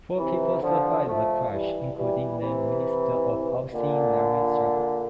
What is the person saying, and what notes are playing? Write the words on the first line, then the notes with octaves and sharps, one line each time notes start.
Four people survived the crash, including then Minister of Housing, Larry Shaben.
C3 E3
D3 F3
F3 A3
E3 G3
E3 G3
C3 E3
A#2 D3